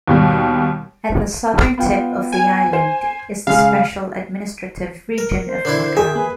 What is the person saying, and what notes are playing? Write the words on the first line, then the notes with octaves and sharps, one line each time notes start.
At the southern tip of the island is the Special Administrative Region of Macau.
D#2 B2 G3
B3 F4 G5
G#5
C5
C#3 G#3 F5
A#4
C5
D3 D4 E4 A#4 D5
G4 G#4 A#4 E5
A#3 B4